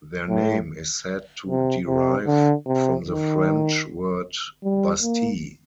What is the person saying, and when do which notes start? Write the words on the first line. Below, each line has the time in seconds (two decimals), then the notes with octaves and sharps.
Their name is said to derive from the French word "bastille".
0.29 A2
1.48 C3
1.87 C3
2.26 D3
2.67 C3
3.05 D#3
4.64 G3
5.03 A#3